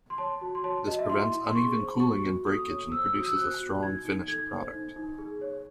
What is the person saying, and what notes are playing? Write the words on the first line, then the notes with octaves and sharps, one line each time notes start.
This prevents uneven cooling and breakage and produces a strong finished product.
C6
C#5 A5
F#4
C6
C#5 A5
F#4 D#5
E5
E4 C6
E4
C6
G#4 C#6
C5
F#4 C#6
F#4
A4 D#6
C#5
C5 E6
E6
F#4 D#6
E6
C5 F#6
F#4
D#4 G#6
D#4
A4 G#6
C5
D#4
D#4
G#4
C#5